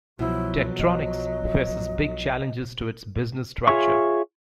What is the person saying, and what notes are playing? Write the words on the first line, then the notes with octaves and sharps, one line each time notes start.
Tektronix faces big challenges to its business structure.
C2 B2 F3 F#3 E4
B1 D#5
F4 G#4 C#5 E5 C#6